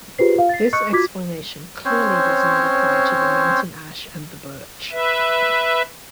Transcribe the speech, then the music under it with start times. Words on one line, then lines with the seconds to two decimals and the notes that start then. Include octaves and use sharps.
This explanation clearly does not apply to the mountain ash and the birch.
0.18 F4 G4 G#4 B4 C5 C7
0.35 F4 F5
0.49 A6 C7
0.73 D#5 C#6 E6 F#6 G6 C#7
0.93 F4 F#4 D6 G#6 B6
1.85 C4 C#4 C5 C#5
4.92 B4 E5